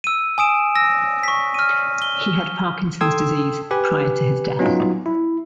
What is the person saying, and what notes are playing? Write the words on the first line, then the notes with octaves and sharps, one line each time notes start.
He had Parkinson's disease prior to his death.
E6 D#7
G#5 D#6 D7 E7
E6 A#6
C#6 B6
F6 D#7
G7
A4 G5 C6 D#6 E6 G#6
G4 B4 G#5
F#3 B3 C#4 D#4 F4
E4